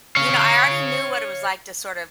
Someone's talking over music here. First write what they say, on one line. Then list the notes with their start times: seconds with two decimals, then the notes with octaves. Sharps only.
You know, I already knew what it was like to, sort of
0.16 C#5 F5